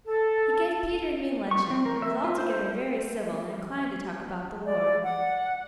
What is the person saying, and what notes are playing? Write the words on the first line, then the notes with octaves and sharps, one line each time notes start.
He gave Peter and me luncheon, and was altogether very civil and inclined to talk about the war.
A4
C#6
C4
A#4
E5
F4
C5
D5
F#5